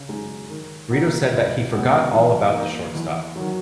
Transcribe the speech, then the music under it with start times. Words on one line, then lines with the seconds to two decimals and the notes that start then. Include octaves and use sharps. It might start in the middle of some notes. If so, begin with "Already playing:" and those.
Brito said that he "forgot all about the shortstop".
Already playing: C#3
0.09 G#3 D#4 G#4
0.50 D#3
0.91 A#3 D#4 F#4
1.31 C#2
1.72 C#3 G#3 B3 F#4
2.13 E3
2.54 A#3 D#4
2.95 E2
3.36 D#3 F#3